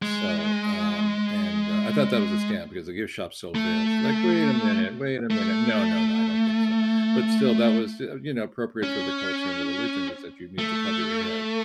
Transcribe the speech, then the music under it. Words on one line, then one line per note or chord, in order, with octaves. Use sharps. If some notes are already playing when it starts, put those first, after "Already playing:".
So, um, and, uh, I thought that was a scam because the gift shop sold veils, like, "Wait a minute, wait a minute, no, no, no, I don't think so," but still, that was, eh uh, you know, appropriate for the culture and the religion is that you need to cover your head.
G#3
A3
A3
C#4
A3